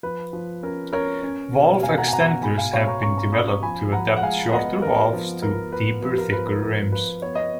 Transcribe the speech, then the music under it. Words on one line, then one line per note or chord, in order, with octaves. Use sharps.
Valve extenders have been developed to adapt shorter valves to deeper, thicker, rims.
F3 B4
F3
C#4 A#4
C#4 A#4 C#5
C#4
B2
B2 F5 G#5
F#5 A#5
G#5
B2 F#5 A#5
F#5 A#5
B2 G#5 B5
F5 G#5
B2 C#5 F5
A#5 C#6
C#4 A#5 C#6
A#5 C#6
C#4 B5 D#6
A#5 C#6
F3 G#5 B5
F3 F#5 A#5
F#5
G#3 F5 G#5
B3 D#5 F#5
B3 A#4
F3
B3 A#4
B3 B4
F3 B4
A#4
F3 B4
A#4
F3 A#4
F3 B4
B3 C#5
D#5